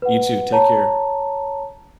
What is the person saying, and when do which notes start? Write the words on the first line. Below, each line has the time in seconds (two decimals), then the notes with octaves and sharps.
You, too, take care.
0.02 B4 F#5
0.52 C#5 A5 A#5